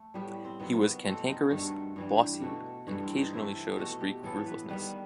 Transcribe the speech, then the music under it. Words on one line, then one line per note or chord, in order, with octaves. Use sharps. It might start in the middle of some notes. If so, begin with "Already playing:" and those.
He was cantankerous, bossy and occasionally showed a streak of ruthlessness.
Already playing: A3
A2 G3 B3 G4
C4
C3 D#3 F#3 B3
B3
B2 A3 C4
D#4
G2 D#3 A3 F#4
G2 E3 G3
G4
B2 A3 F#4
G2 E3 A3 B3
C4
D#4
C3 E3 A3 E4
G4
B2 A3 F#4
G4
A2 E3 B3 A4
B4
D#3 G3 B3 B4